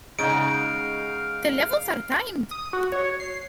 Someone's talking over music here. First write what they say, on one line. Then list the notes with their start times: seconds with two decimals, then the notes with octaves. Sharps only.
The levels are timed.
0.19 C#3 G#3 D#4 F5 F#5 D7
2.51 D#6
2.73 F#4
2.92 C#5
3.20 C7